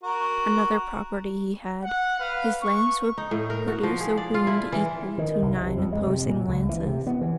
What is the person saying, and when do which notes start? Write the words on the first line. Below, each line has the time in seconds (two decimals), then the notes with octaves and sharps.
Another property he had; his lance would produce a wound equal to nine opposing lances.
0.04 F#4 A#4
1.83 F#5
2.20 B4 F5
2.61 C#6
3.18 D#4
3.31 A2
3.50 A#4
3.68 F#4
3.83 F3
4.00 G#4
4.18 D5
4.34 F4
4.47 E4
4.72 E3
5.18 D#3
5.42 C2
5.57 C3
5.77 F2
5.93 G#3
6.07 C3
6.26 A#2
6.48 C#2
6.69 E3
6.86 C3
7.07 B3
7.21 E3